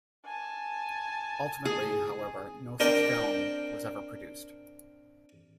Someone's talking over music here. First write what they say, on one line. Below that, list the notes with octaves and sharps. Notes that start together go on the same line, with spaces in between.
Ultimately, however, no such film was ever produced.
G#5 A5
G#4
C4 D4 A#4 G5